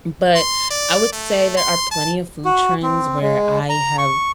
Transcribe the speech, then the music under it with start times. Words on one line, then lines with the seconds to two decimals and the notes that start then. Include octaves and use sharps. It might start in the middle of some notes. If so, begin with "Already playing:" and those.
but, I would say there are plenty of food trends where I have
0.36 C6
0.71 D5
1.13 A3
1.57 C6
1.91 A5
2.45 F#4
2.83 C4
3.21 G#3
3.70 A#5
3.98 C#6